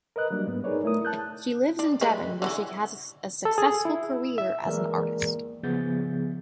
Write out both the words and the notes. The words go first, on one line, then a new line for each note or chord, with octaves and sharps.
She lives in Devon where she has a successful career as an artist.
A#4 B4 D#5 F#6
F#3 G3 A#3 D4
G#2 B3
D#4 G#4 A#4 B4 C#5 D5
A3 E4 A#4 D#6
A5 F#6 G6
D4
G#3 A3 B4
D3 E3 C#4
A4
G#4
E4
E5
E3 G#3 A#3 G#4 A#4 D5
C#3 F3 B3 G#4 G6 A6